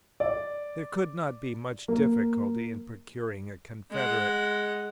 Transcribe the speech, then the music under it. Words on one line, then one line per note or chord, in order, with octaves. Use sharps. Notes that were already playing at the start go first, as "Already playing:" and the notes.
There could not be much difficulty in procuring a confederate.
D5
A#3
G#3 F#5